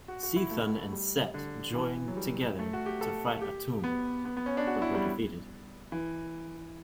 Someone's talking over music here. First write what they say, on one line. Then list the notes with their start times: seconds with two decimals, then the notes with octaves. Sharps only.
Chthon and Set joined together to fight Atum, but were defeated.
0.08 F#4
0.23 F#4
0.36 E4
0.51 A3
0.92 G3
1.34 D3
1.75 E3
2.08 F#3
2.17 G3
2.59 A3
2.73 F#4
2.86 G4
3.01 A4
3.42 G4
3.84 B3
4.25 B3
4.37 B3
4.46 C#4
4.57 D4
4.67 F#4
4.82 E4
4.95 G3
5.92 E3